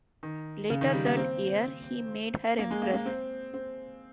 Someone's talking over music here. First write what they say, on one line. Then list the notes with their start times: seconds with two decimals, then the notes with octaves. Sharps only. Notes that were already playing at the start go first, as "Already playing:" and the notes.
Later that year, he made her empress.
0.23 D#3
0.70 C#3
0.81 D#3
0.93 G3
1.06 A#3
1.17 C4
2.59 A#3
2.71 G#3
2.82 A#3
2.94 A#3
3.06 C4
3.54 C4